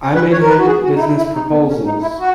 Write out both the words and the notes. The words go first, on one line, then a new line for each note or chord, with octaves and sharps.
I made him business proposals.
B4
C#5
A#4
B4
F#4
G#4
F#4
D#4
E4
E4
D#4
B3
C#4
D#4
E4
F#4